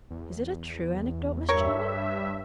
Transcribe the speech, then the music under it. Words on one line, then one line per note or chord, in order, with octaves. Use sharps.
"Is it a true anecdote, Miss Channing?"
E2
G2 A#4 C#5 E5